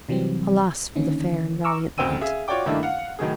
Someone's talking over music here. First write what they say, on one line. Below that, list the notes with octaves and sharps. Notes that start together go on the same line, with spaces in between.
Alas, for the fair and valiant knight!
C3 E3 F#3 G3 C4
D3 D#3 A#3 C#4
A#5 C#6 D6 E6 F6
F#1 D2 C4 G5 E6 D#7
G#4 E5 F5
F4 F#4 C#5 D5 G5 D6
G2 D#3 A3 A#3 D4 E4
F5 F#5
A2 D#3 F#3 G#4